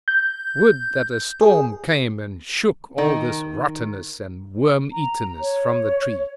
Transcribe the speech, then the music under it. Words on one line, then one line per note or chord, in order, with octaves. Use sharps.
Would that a storm came and shook all this rottenness and worm-eatenness from the tree!
G6
G#4
D#3
A#5
C#5